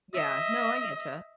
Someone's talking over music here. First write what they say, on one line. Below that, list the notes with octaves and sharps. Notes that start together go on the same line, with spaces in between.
Yeah, no, I get ya.
D#5 E5